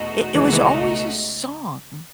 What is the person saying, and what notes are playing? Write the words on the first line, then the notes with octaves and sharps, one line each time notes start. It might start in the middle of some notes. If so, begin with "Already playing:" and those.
it it was always a song
Already playing: E2 B2 A3 D#4 F#4
C#2 B2 E3 G#3 A3 D#4 F#4
E3 G#3